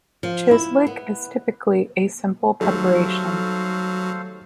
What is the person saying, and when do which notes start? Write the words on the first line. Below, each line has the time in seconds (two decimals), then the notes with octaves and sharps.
Chislic is typically a simple preparation.
0.23 F3
0.51 E4
0.87 B3
2.61 D#3 F#3 G3 A3 A4 C5 F5